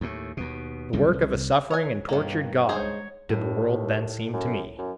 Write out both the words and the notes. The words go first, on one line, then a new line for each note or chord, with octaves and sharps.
The work of a suffering and tortured God, did the world then seem to me.
D#2 A2
D#2 B2
C2 F#2 B2 G3
C2
C#5 D#5 G#5
G2 B2 D#3 A#3
G#3 D#4 G#4 C5 C#5
D#2 A2
F#2
F#2